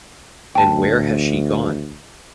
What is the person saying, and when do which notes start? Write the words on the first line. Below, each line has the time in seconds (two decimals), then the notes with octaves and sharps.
And where has she gone?
0.55 D2 G5 A5